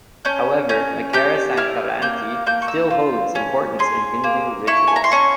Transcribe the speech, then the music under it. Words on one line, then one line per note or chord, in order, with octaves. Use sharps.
However Makara Sankranti still holds importance in Hindu rituals.
C#4 G6
C#4 G6
G4 G6
E4 F6
A#3 G6
A#3 G6
C#6
E6
F4
C#4
G#4 C6
A#3
E4 C#6
G#5
A#5
C6
C#4 C#6